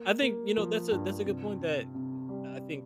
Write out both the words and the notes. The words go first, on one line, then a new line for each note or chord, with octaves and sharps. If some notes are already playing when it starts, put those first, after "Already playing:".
I think, you know, that's a that's a good point that m I think
Already playing: A#3
A#3
F3
G2
C3
C3
C3
G3